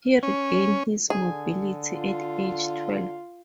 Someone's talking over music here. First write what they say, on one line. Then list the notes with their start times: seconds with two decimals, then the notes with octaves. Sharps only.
He regained his mobility at age twelve.
0.23 C#4
1.10 D3 G#4
1.93 F4